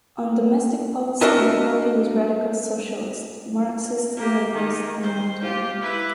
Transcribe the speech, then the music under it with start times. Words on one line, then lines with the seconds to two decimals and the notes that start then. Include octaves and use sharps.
On domestic policy, the party was radical socialist, Marxist-Leninist and left-wing.
1.21 D4 F#4 A#4 D#5 E5 G#5
4.16 A#3 G4
4.53 D#3
5.02 C5
5.42 F4 G4
5.81 E4 B4